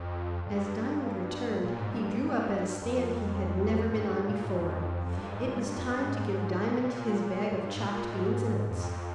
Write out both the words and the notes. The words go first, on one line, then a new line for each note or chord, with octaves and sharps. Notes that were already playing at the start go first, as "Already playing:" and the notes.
As Diamond returned, he drew up at a stand he had never been on before: it was time to give Diamond his bag of chopped beans and oats.
Already playing: F2
G2
A#2
G#2
G2
G2
F2
G#2
G2
A#2
G#2
F2
F2
G2
G#2
A#2
G2
G2
F2
G2
G#2
A#2
C3
A#2
G2
G#2
A#2
G#2
F2